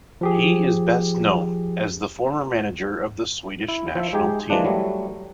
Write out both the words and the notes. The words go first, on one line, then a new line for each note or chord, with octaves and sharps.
He is best known as the former manager of the Swedish national team.
F3 G4 G#4
E4
F3 E5
G#3 D#4 G4 G#4
E3 F3 G#3 A#3 D4
F#3 G3 A3